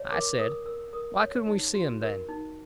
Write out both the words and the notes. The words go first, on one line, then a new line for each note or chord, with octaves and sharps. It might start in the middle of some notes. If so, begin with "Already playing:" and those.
I said, why couldn't we see them, then?
Already playing: C#5
A#4 D6
A#4 D#6
A#4 E6
A#4 D#6
C#5
D#4
F#4
A#4
D#4